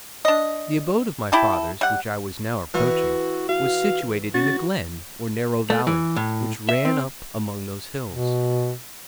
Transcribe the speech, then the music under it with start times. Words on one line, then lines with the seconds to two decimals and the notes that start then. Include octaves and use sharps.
The abode of my fathers, which I was now approaching, was situated in a glen, or narrow valley, which ran up among those hills.
0.25 D4 D#5
1.32 E4 G4 A4
1.81 G3 F#5
2.74 E3 F#4
3.49 F#4 F5
4.34 C#4 F#4 A6
5.70 A3
5.87 E3
6.16 A2
6.69 E5
6.85 C4
8.09 B2